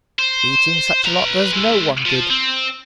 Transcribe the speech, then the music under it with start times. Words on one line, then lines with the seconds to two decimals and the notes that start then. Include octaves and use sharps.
Eating such a lot does no one good.
0.19 C5
1.05 B4 A#5
1.52 G#3 E4
2.06 F3
2.30 C4